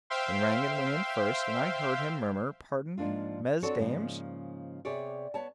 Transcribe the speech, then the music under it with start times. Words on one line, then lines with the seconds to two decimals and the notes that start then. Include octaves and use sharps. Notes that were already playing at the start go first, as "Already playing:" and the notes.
Then Rangon went in first, and I heard him murmur 'Pardon, Mesdames.'...
0.10 C5 E5 F5 G5 C6
2.98 G#2 F3 A#3 D4 F4
3.62 C4 D4 F#4 A4 C#5
3.78 G#2 C#3 F3 A#3
4.85 C3 B3 C4 G#4 C#5 D5
5.34 B3 C#5 A5